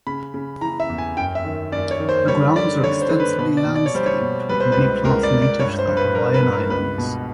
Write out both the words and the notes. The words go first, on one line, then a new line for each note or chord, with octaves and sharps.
The grounds are extensively landscaped, with many plants native to the Hawaiian Islands.
C#3 B5
C#3
E3 A#5
E5
E2
G#5
F#2 G5
E5
D#3
F#2 D5
C#5
D#3
C5
G3 C#5
D3 D5
D3 C#5
C5
D3
B4
B2 B4
D5
B2
D5
C#5
G3 C5
C#5
B2
G3 B4
C5
B4
C#2
C#2 A#4
D5
C#2
D5
G2 C#5
C5
G2
B4
G2 A#4
B4
G2
A#4
C#2 B4
B2